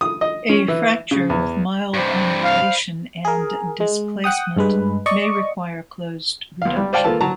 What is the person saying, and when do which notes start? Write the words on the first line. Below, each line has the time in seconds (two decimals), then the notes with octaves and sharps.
A fracture with mild angulation and displacement may require closed reduction.
0.01 D#6
0.21 D#5
0.49 C#4
0.68 E3
1.11 C#3
1.30 E2
1.94 G2 C3 C5 D5 B5
2.43 F5
3.25 G#4 A#4
3.80 G#3
4.24 F#5 G5 D#6
4.57 G2 G#3 B4
5.06 D5 D#5 C#6
6.62 B1 F5
6.76 G3
6.93 C5 D5 F5 G5 A5
7.04 A#3 F4 A4 B4 A5
7.21 F#3 A5 A#5